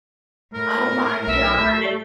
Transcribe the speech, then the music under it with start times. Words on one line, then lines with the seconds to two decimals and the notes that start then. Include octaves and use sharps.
Oh my god!
0.54 A2 A#4
1.27 B1 E5
1.60 A3